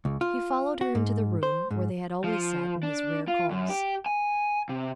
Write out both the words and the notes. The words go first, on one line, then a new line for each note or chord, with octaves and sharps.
He followed her into the room where they had always sat in his rare calls.
C#2
F4
F#4
G#2
C5
G#2
F3
D4
F4
F#2
G4
G#5
C3